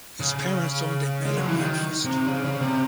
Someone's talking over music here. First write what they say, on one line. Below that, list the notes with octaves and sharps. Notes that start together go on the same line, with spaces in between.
His parents owned a bed-and-breakfast.
C#3
G#3
F#3
E3
D#3
C3
C#3
C#3
C3